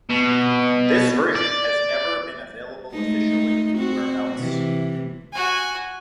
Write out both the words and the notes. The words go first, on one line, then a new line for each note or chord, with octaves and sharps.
This version has never been available officially anywhere else.
B2
D5
G#3 A3 D#4
C4 F#4
C3 E3
F#4 G#5